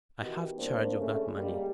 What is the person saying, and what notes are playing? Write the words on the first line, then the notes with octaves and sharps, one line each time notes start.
I have charge of that money.
B2 D#3 E3 B3 G4
C2 A#3 D4 C5
C#3 A3 C#4 D4
G3 G#3 A#3 G4